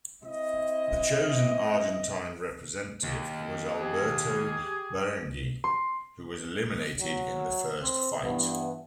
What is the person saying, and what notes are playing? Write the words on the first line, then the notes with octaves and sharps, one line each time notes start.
The chosen Argentine representative was Alberto Barenghi, who was eliminated in the first fight.
C4 E4 D#5
D#2
G4 G#4
C6
F#3
C4
G2 E3 B3